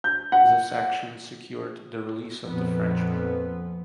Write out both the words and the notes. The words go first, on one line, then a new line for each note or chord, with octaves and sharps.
This action secured the release of the Frenchmen.
G6
F#5
F2 A#2 B3